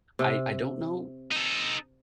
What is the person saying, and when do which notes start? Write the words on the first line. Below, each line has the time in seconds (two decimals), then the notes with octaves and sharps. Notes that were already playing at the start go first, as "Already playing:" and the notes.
I I don't know,
0.19 C3
1.31 D#4 A4